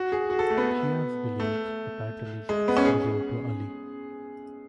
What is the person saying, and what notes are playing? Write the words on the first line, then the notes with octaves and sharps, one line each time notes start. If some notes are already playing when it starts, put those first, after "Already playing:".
Shias believe the title is exclusive to Ali.
Already playing: F#4
G#4
F#4
A4
A3
B3
A3
G#3
B3
C#4
G#4